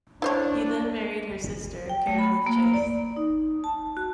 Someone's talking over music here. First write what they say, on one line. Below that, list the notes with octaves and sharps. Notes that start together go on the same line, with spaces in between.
He then married her sister, Caroline Chase.
D4 E4 C5 C#5
G5
A3
B5
A#3
D5
D#4
A5
F#4